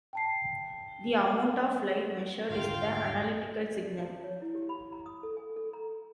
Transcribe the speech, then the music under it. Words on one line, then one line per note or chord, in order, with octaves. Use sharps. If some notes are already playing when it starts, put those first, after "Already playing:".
The amount of light measured is the analytical signal.
G5 A5 C7
G#2 D3 F4 F5 G5
D5
A5
C#5
E4
G4
B5
A#5
D#6
A4
G#5
A4
A#5